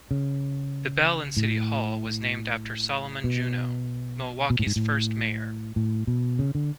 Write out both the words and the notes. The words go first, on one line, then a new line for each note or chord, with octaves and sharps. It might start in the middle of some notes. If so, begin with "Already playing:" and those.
The bell in City Hall was named after Solomon Juneau, Milwaukee's first mayor.
C#3
A2
B2
B2
A2
G#2
A2
A2
B2
C#3
D3